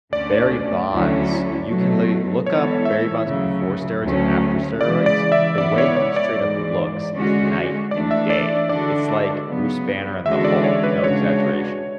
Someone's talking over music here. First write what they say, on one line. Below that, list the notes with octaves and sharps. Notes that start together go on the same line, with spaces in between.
Barry Bonds, you can lay look up Barry Bonds before steroids and after steroids. The way he straight up looks is night and day. It's like Bruce Banner and the Hulk, no exaggeration.
D2 D3 A3 C#4 D5
D2 D3 F#3 C#4 E4
B2 F#3 A3
E3 G#3 B3 E4 A4 C#5
E5
D2 C#3 F#3
D2 C#3 F#3 A3 C#4
C#3 E3 G#3 D5
D5
E5
G#2 E3 B3 D5
C#5
C#5
D5
G#2 E3 G#3
D3 G#3 C#4 F#4
E3 A3 D4 D5
E5
D5
D3 G#3 D4 F#4 D5
C#3 F#3 B3
E2 D3 G#3 C#4 F#4 E5
D5
C#5
B4
C#3 G#3 D4 F#4 C#5